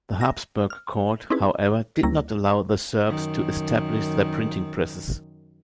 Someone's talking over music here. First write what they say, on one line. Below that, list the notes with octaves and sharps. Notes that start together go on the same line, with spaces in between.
The Habsburg court, however, did not allow the Serbs to establish their printing presses.
A#6
F6
C4 C#4 D#4 E4 G#4 B4
D2 G3 A#3 C#4 E4 A#6
F#2 D#3